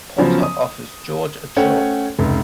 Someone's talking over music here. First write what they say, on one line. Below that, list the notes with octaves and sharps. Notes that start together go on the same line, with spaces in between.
Potter offers George a job.
C#3 F3 F#3 B3 C#4
D#6
A3 C#4 C5 C#5 F#5 G5
F1 C#2